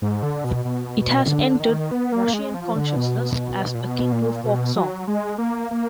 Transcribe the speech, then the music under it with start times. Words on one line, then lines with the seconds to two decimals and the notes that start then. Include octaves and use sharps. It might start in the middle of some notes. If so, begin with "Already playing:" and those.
It has entered Russian consciousness as akin to a folk song.
0.02 G#2
0.23 D3
0.44 B2
0.65 B2
1.28 D3
1.60 D#3
1.91 B3
2.12 A#3
2.33 G#3
2.54 F3
2.76 D3
2.96 B2
3.75 A#2
3.81 B2
4.12 A#2
4.44 B2
4.76 F#3
5.07 G#3
5.38 A#3
5.71 A#3